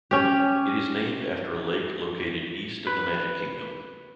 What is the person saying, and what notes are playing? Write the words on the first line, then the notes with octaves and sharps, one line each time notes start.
It is named after a lake located east of the Magic Kingdom.
C#4 G4
B4